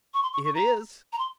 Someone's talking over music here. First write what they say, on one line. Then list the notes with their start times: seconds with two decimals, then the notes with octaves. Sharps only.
"It is."
0.14 C#6
0.23 C6
0.33 C#6
0.44 C#6
0.55 A#5
1.13 A#5
1.19 C6